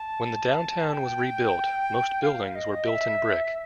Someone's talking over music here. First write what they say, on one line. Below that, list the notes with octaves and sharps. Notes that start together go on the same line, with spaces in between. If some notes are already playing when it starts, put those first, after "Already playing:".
When the downtown was rebuilt most buildings were built in brick.
Already playing: A5
G5
F5
D#5
E5